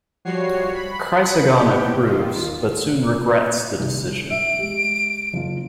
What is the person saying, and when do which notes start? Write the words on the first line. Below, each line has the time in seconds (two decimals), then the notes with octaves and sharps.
Chrysagon approves, but soon regrets the decision.
0.25 F3 G3 F#4 C#5 C7
0.74 B5
1.53 B3 E4 G4 G5
2.04 D#2 D#3 F4
3.79 C2 D#3
4.30 E5 D7
4.59 G#3 G4
5.33 F#1 F4